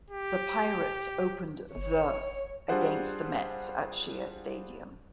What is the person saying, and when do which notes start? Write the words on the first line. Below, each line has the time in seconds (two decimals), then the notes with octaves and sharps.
The Pirates opened the against the Mets at Shea Stadium.
0.10 G4
1.75 G1 C#5
2.69 G3 D4 F4 G#4 C5 F#5